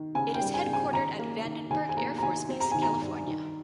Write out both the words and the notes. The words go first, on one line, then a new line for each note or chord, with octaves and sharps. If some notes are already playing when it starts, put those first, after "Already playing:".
It is headquartered at Vandenberg Air Force Base, California.
Already playing: D#3
C#3 G#5
G5
G3
G#5
C#3
G#5
D#3 A#5
A#3
D#3
D#3 G#5
G#5
A#3 A#5
A#5
D#3 G#5
C4
A#5
D#3 G#5
A#5
G2
D#3